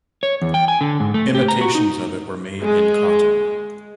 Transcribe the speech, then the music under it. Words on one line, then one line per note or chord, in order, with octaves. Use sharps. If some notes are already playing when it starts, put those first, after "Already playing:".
Imitations of it were made in cotton.
C#5
E2
G5
G#5
D3
G#2
A3
G4
A#5
F#4
D#4
G#3